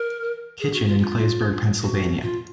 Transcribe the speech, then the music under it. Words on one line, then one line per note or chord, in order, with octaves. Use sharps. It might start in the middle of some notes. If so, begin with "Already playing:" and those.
Kitchen in Claysburg, Pennsylvania.
Already playing: A#4
G#4
F#4
F4
F4
F#4
F4